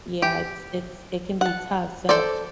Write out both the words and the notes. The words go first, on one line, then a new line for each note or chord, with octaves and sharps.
Yeah, it's it's it can be tough, so
G4
F#5 A5
A4 C5 D5